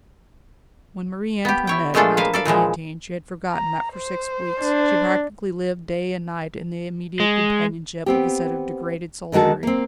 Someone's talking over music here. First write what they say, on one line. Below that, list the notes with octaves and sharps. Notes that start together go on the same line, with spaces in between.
When Marie Antoinette mounted the guillotine she had forgotten that for six weeks she practically lived day and night in the immediate companionship of a set of degraded soldiery.
B3 G4
E4 C#5 G5
A#2 G#3 A3 D4 F4 A4
F3 A#3 B4 F5
A4 D5 F5
A#2 E3 F3 G#3
A#5
C5
D4
G#3
B3 C4 G4
D3 D#3 G#3 F#4 A4
A#3 C4